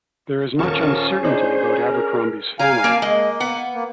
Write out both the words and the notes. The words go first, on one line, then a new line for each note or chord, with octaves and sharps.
There is much uncertainty about Abercrombie's family.
D#1 C#4 F4 A#4 A5 C#6
D4 D#4 G#4 C5
A#4
G3 F5 G#5 A#5
A#3 A#4 A5
G#3 A#3 D#5
B3 F#5
A#3